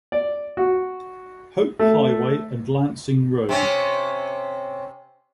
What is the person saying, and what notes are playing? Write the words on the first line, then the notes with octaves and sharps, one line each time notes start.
Hope Highway and Lansing Road.
D5
F#4
A3
C3 C4 C#4